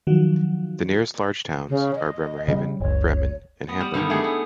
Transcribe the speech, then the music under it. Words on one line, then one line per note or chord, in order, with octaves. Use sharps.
The nearest large towns are Bremerhaven, Bremen and Hamburg.
D#3 F3 F#3 F#4
C#3
D#5
C#3 F#3 G3
F#1 C#2 C#5
B3
G3
G2 D3 D#3 B3
A3 E4 G4 G#4
B3